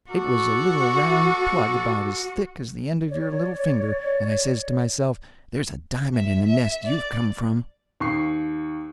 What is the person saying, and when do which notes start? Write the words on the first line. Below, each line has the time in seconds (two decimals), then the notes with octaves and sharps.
It was a little round plug about as thick as the end of your little finger, and I says to myself there's a di'mond in the nest you've come from.
0.11 F#4 A4 D5 C#6
3.07 C#5 D5
6.15 E5
6.46 E5
6.87 D5
8.00 D#2 C#6 C7